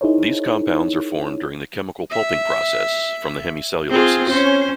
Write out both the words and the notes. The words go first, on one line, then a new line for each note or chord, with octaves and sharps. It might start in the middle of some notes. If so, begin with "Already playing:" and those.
These compounds are formed during the chemical pulping process, from the hemicelluloses.
D#4 E4 G#4 A#4 C5 C#5
E5
C4 F4 G#4
C#4 C5